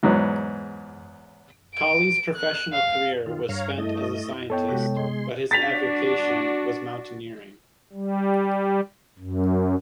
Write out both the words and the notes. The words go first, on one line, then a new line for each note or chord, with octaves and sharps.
Collie's professional career was spent as a scientist but his avocation was mountaineering.
E2 G#2 F#3 B3
D7
F#6
F5
D#3 F4
G2 C#5 F5 A#5
A3 E4 D#5
B3 A4 C#5 D#5 G5
C3 G#3 F#4 G4
G#3 D#5 C6
D4 F#4 A6 B6 F7
G3
F#2